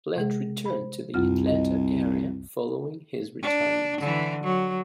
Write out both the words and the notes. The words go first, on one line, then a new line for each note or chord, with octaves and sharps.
Plett returned to the Atlanta area following his retirement.
C3 G#3 G#4
C5 B5
C2 F#2 F4 F6
D#5
D4
D3 E3
F#3